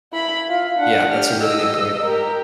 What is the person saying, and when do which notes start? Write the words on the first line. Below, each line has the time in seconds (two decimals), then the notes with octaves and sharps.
yeah, that's a really good point.
0.13 E4 B5
0.48 F4 F5
0.79 D4 F#5
1.09 G4 F6
1.43 D#5 E6
2.04 G4 A#4